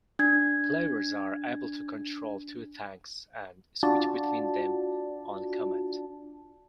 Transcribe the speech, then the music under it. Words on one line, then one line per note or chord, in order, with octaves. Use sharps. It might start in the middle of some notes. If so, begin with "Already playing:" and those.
Players are able to control two tanks and switch between them on command.
D4 G#6
D4 F4 F#4 D5 A5